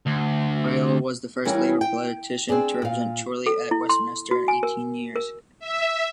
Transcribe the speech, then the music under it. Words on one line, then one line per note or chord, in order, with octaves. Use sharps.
Hoyle was the first Labour politician to represent Chorley at Westminster in eighteen years.
D2
E3 G3 C#4 F4 A#4
G5
C4 D4 G#4 D5
A#2 F5
A4
E4
C6
F#4
G#5
A#4
A#4
E5